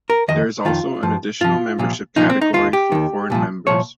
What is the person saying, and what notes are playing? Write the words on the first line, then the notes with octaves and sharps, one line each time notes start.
There is also an additional membership category for foreign members.
A#4
F2 D#3 D#5
F2 D#3 F4
G2 F3
G2 F3 F4
C2 A#2 F3
C2 A#2 F3 D#4
C4
D#4
D#2 D#3 F4
G4
D#2 D#3
C2 A#2 F3
C2 A#2 F3 C#5